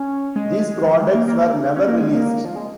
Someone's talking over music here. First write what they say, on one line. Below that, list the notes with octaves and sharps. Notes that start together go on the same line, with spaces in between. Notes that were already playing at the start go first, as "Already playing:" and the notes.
These products were never released.
Already playing: C#4
G#3
F3
G#3
A#3
A#3
A#3
C#4
A#3
G#3
A#3
F3
G#3